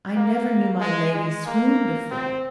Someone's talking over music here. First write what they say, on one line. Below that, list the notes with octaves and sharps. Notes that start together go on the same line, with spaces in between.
I never knew my Lady swoon before.
A#3
G#3
G#3
A#3
C4